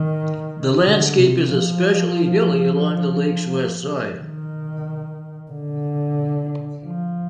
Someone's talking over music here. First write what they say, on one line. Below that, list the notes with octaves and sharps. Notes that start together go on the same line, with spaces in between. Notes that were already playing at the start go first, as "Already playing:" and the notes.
The landscape is especially hilly along the lake's west side.
Already playing: D#3
D3
C3
F3
D#3
D3
F3